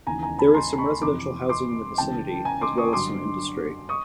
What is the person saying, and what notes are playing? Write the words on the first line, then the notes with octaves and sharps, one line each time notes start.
There is some residential housing in the vicinity, as well as some industry.
D#2 C#3 E3 G#5 A#5
G#5 A#5
A5 B5
A#5 C6
B5 C#6
F2 C3 E3 C6 D6
C6 D6
C#2 C#3 E3 G5 A5
G#5 A#5
C6 D6
C#6 D#6
G2 D3 F#3 C6 D6
C#6 D#6